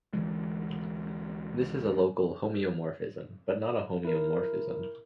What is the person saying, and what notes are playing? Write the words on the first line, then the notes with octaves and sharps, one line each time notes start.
This is a local homeomorphism but not a homeomorphism.
D2 D3 E3 G#3
E4 A#4